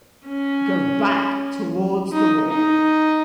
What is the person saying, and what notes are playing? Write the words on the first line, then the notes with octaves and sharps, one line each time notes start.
Going back towards the wall!
C#4
D#4
D#4